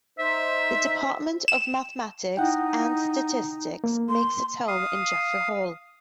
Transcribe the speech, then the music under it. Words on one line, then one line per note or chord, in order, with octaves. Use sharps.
The Department of Mathematics and Statistics makes its home in Jeffery Hall.
D#4 C5 E5
E7
D#4 E4 F#5 G5
A#3
C6
F5 D#6